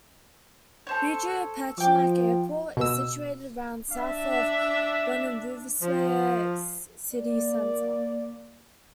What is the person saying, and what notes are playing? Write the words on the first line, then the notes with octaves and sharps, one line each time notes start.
Biju Patnaik Airport is situated around south of the Bhubaneswar city center.
A4 C5 C#5
F3 G5 D6
B2 E6
D4 E5
F3
A#3 D5